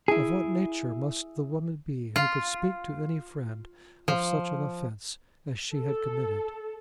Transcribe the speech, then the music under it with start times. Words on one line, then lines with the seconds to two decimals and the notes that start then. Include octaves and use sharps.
Of what nature must the woman be who could speak to any friend of such an offence as she had committed?
0.08 E4 G#4
2.16 F4
4.08 F3
5.73 A4